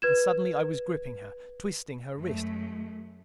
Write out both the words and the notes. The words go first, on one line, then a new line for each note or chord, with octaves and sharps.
And suddenly I was gripping her, twisting her wrist.
B4 G#6 E7
F#2 G#3 A3